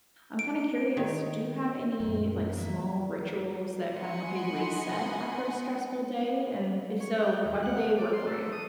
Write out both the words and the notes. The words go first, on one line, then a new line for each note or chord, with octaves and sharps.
I'm, kind of, curious, do you have any, like, small rituals that kinda help you reset after a stressful day, and if so why do they work for you?
D7
D#3 G4 D#5
F#2 A#2
E3 A#3 E5
D#5 F#5 G#5 B5 C6
C#5
G5
D#2
F#5
D5
C6
A3
D#6